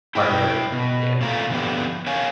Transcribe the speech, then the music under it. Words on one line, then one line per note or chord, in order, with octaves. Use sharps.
partner, yeah.
E4 G5
B2
A#2 A3 F4 A#5
D3 F3 B3 G4
A#4 C#5 F5 G#5